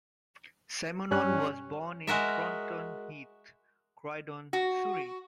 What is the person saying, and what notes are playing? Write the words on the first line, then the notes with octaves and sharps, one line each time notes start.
Simonon was born in Thornton Heath, Croydon, Surrey.
G2 G3 C#4 F#6
G#3 F#4 A#4 E5
F#4